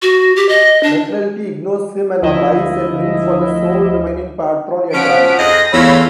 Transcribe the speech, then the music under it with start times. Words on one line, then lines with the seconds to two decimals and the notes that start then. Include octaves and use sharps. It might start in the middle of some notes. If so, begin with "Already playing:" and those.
McNulty ignores him and buys a drink for the sole remaining patron, a drunk.
0.02 F#4
0.36 G4
0.49 D#5
0.83 D4
2.22 D2 F3 E4 D#5 E5
4.93 B2 F3 C#4 F#5 B6 D7
5.38 F2 G#4 D#5 A#6
5.73 E2 A3 F4 C#5 B5 E6